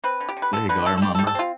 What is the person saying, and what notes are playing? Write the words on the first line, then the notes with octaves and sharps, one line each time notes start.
there you go. I remember.
C4 B4
D3
G4
D3
B4
D3 A4
D3 B4
D3 A4
A4
G3 G4
A4
G3
A4
C4 F4